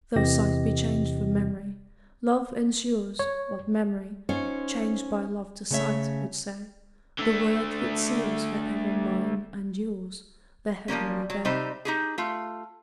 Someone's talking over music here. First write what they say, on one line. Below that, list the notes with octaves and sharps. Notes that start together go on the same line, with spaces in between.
Though sight be changed for memory, love ensures What memory, changed by love to sight, would say - The word that seals for ever mine and yours The heavenly bay.
E2 C3 E3 G4 D#5 A#6
C#5
C#4 D#4 F4 C5 C#5
C#3 A3 C#4 C#5 E5
D3 A3
F3 G3 A#3 C#4
F#3
C3 G3 D#4 G4 C5
D#4 G4 G#4
A3 F4